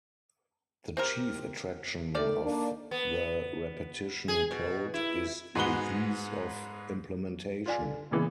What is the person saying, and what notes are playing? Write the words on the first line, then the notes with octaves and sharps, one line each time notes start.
The chief attraction of the repetition code is the ease of implementation.
C4 G4 A#4
D#3 A3 D5
A#3 D4
B3
G#4
B2
E4
G#2 G#3 B3 F#4 B5 G7
F4 D5 G#5
D3
A#2 C#3 E3 G#3 B3